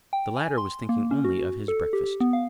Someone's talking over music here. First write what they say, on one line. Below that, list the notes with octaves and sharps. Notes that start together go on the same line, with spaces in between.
The latter was thinking only of his breakfast.
G5
G#5
C6
A#3
C#4
F#4
A4
G4
B3
F5